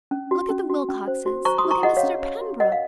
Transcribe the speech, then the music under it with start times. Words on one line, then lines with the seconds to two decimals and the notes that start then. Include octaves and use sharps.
Look at the Wilcoxes, look at Mr. Pembroke.
0.11 C#4
0.31 F#4
0.50 C#4
0.70 F#4
0.88 C#4
1.08 C5
1.26 F#4
1.45 C5 A#5 C#6
1.58 C6 D#6
1.65 F#4
1.71 A#5 C#6
1.83 G#4 D#5 F#5
1.97 C#5 F5
2.03 C#4
2.23 C#5
2.41 F#4
2.60 A#4 D#5 F#5
2.72 F5